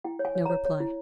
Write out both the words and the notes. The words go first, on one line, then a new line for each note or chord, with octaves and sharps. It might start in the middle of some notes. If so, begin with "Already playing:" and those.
No reply.
E4 G5
C#5
G#5
C#5
C#5 A#5
C#5
E4